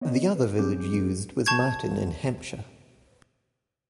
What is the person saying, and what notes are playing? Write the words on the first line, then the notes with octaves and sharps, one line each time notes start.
The other village used was Martin in Hampshire.
B3 C#5 D#5
B4
F#3 C4 C#4 G#4 D6 G6
A5 C#6 G6 G#6